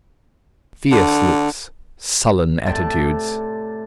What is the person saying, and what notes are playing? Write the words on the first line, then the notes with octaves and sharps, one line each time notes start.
Fierce looks, sullen attitudes.
D3
A2 C3 D5 A5